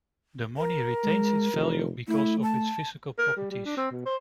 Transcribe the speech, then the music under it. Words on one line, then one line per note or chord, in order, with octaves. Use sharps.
The money retains its value because of its physical properties.
A#4
G#3
F1
A3 E4
A5
A#4
G3
G3
D4
C4
B2
C5